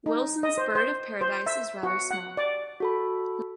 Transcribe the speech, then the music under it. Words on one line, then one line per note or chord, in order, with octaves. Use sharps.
Wilson's bird-of-paradise is rather small.
D#4
D#5
C5
C5
C5
E5
F#4
F#5
D5
F#4 A4 B5